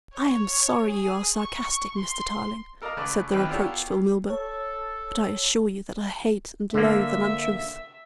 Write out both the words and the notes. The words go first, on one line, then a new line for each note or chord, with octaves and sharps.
"I am sorry you are sarcastic, Mr. Tarling," said the reproachful Milburgh, "but I assure you that I hate and loathe an untruth."
C#5
G#4
C#6
C6
A4 A#4 D5 D#5 F5 A#5
C#2 C#3 A3 B4 D5
G#1 D#2 C4 G4 B4 B5
B3 E4 F4 G4 A4 C#5
A4 C#5
D3 A#3 E5